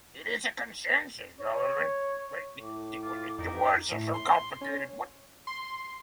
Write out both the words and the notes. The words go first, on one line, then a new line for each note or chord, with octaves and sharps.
It is a consensus government called the Legislative Assembly.
C#5
A2 D6
F4
F2 D#4 G4 A#4
A2
C6
C#4
C6